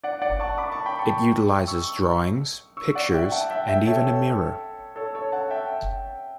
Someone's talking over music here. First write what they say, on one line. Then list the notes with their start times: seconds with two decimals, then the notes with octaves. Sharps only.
It utilizes drawings, pictures, and even a mirror.
0.04 D5 F#5
0.22 D5 F#5
0.40 A5 C#6
0.58 B5 D6
0.72 A5 C#6
0.86 G5 B5
0.99 A5 C#6
1.67 C#6 E6
2.77 C#6 E6
2.95 D5 F#5
3.14 E5 G5
3.32 F#5 A5
3.50 E5 G5
3.68 E5 G5
3.87 A4 C#5
4.96 A4 C#5
5.15 A4 C#5
5.32 F#5 A5
5.51 E5 G5